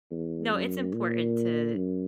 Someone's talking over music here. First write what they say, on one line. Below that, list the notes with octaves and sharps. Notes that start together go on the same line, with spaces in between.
No, it's important to
E2
F#2
A#2
F#2